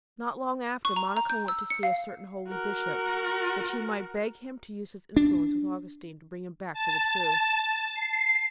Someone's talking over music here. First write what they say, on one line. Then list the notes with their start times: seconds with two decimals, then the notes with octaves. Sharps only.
Not long after Monica went to see a certain holy Bishop, that she might beg him to use his influence with Augustine to bring him back to the truth.
0.85 C#6
0.96 A#5
1.17 A#5
1.30 G6
1.48 E6
1.70 C#7
1.83 F5
2.48 F#4 A#4
5.17 D4
6.73 A5
7.95 C7